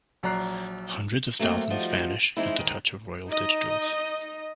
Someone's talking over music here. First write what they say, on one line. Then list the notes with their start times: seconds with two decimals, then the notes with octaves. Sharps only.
Hundreds of thousands vanish at the touch of royal digitals.
0.23 A#1 F#3 D5 A#5 F#6 C7
1.39 F#3 A3 A#3 C4
1.70 F3 G3 D#4 F4 F#4
2.37 E3 G#3 C4 D#4 E4
2.57 G#2 D#3
3.29 D#4 D#5